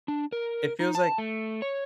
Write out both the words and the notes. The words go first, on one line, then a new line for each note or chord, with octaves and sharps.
It feels like
D4
A#4
D#4
A5
A3
C#5